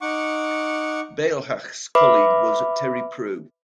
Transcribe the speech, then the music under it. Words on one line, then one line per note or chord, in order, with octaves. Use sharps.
Bailhache's colleague was Terry Prue.
D#4 F#5 C#6 D6
B4 E5 B5 D6